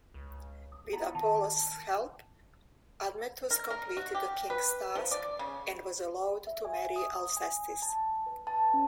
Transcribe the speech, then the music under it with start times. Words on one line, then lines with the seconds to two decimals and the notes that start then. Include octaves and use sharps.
With Apollo's help, Admetus completed the king's task, and was allowed to marry Alcestis.
0.14 C#2
0.72 D#6
0.93 B3 E4 F4 A#5
1.15 D#3 A5
3.51 A#4
3.70 A#4
3.97 F#4
4.15 G4
4.50 B4
4.95 F3
5.11 D5
5.39 C#3
6.47 E5
6.65 G#5
6.96 D#6
7.37 G#5
7.82 A5
8.26 B4
8.47 A5
8.74 C#4